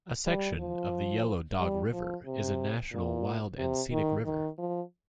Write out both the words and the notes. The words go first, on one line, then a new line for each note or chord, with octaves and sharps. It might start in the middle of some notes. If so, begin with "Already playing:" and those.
A section of the Yellow Dog River is a National Wild and Scenic River.
G3
F3
G3
F3
C3
A#2
C3
D#3
D#3
F3